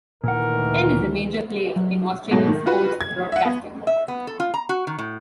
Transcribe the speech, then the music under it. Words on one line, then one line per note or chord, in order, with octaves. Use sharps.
Ten is a major player in Australian sports broadcasting.
D2 A#2 D#3 E3 A#4 F#5
F#3
G#2 B2 F#3 A3
D#3
F4 F#4 B4
G#6
E5 F#5
B3
E5
B3
A4
F4
A#5
F#4
D#3
A2